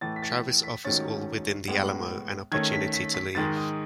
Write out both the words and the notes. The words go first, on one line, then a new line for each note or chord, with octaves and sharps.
Travis offers all within the Alamo an opportunity to leave.
A2 E3 A3 A6
B6
A6
B6
G#2 D#3 F#3 A3 C#4 A6
A2 G#3 B3
D#3 A3 C#4 G#6
B6
B6
B6
G#2 D#3 G#3 A6
D#6